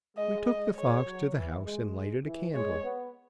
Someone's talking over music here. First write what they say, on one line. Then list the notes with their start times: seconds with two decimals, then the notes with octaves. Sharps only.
We took the fox to the house and lighted a candle.
0.16 G#3 D#5
0.47 D#5
0.76 G#3 C#5
1.05 F#3
1.35 E3
1.65 G#3
2.25 E3
2.54 G#3 C#5
2.84 B3